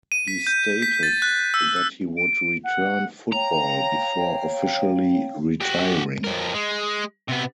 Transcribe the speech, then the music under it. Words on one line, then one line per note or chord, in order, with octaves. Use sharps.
He stated that he would return football before officially retiring.
D#7
B6
G6
B6
A6
F#6
E6
E6
D7
F#5
C#5 F5 G5 A#5
F#4 G4
F2 A#4
G#3
C3 B3